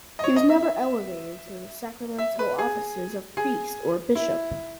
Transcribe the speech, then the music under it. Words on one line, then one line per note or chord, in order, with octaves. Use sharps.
He was never elevated to the sacramental offices of priest or bishop.
D#5
C#5
D#5
E5
E5
E5
B4
G#4
G#4
E4